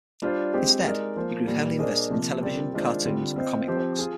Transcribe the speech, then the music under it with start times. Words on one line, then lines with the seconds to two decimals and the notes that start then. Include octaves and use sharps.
Instead, he grew heavily invested in television, cartoons, and comic books.
0.22 G3 D4 F4 C5
0.53 G#3 C4 G4 C5
0.84 G#3 D#4 A#4 D5
1.16 F3 A#3 F4 C5
1.47 A#2 G3 A#3
1.79 A#3 D4 G#4 C5 D#5
2.10 C3 F3 A#3
2.41 G3 C4 F4 A#4 D5
2.73 D#3 G#3 D4 F4 C5
3.05 D3 G3 C4 F4
3.36 C4 F4 C5 D#5
3.68 F3 C4 G4 C5
3.99 F4 G#4